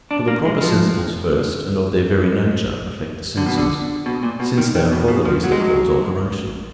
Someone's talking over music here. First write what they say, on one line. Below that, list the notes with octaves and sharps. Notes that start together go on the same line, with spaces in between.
For the proper sensibles first, and of their very nature, affect the senses; since they are qualities that cause alteration.
D4
A#3
G#3
F3
D3
B2
D3
B2
A#2
B2
D#3
D#3
B2
B2
F3
F#3
G#3
F#3